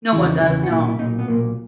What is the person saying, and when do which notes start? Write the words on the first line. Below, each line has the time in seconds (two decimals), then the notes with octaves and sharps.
No one does, no.
0.12 E2 C#3 E3 E4
0.27 D#4
0.40 E2 C#3 E3 E4
0.63 F#4
0.70 B1 A#2 E4
0.99 B1 A#2 D#4
1.19 B3
1.28 B1 A#2 A#3